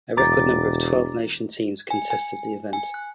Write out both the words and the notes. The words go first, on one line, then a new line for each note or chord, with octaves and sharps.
A record number of twelve nation teams contested the event.
E1 A#5 D6 A6
G#5
G#5
G#5
F#6